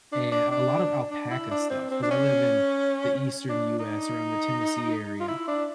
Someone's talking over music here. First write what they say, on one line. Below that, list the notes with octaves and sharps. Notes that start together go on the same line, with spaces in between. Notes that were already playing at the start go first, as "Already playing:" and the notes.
And a lot of alpaca stuff 'cause I live in the Eastern US around the Tennessee area.
D4
D4
D4
D4
E4
D4
C4
C4
D4
C#4
D4
D#4
F4
E4
D4